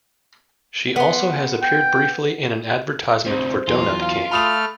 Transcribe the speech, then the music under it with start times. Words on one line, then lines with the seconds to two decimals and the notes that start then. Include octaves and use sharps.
She also has appeared briefly in an advertisement for Donut King.
0.96 B3 C6
1.63 G5
3.26 D2 C3 C5
3.67 E2 F#3 F4
4.02 F5
4.31 A3 B5 D#6 F6 F7